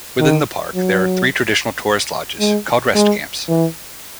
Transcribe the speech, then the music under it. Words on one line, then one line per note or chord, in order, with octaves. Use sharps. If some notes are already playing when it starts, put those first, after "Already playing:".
Within the park there are three traditional tourist lodges, called "rest camps".
D#3
F#3
G#3
G#3
E3